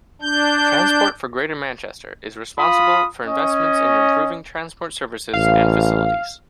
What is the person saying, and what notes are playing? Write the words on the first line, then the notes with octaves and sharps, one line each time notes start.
Transport for Greater Manchester is responsible for investments in improving transport services and facilities.
D4 G6
F4 F5 B5 D#6
C#4 D#5
A1 F5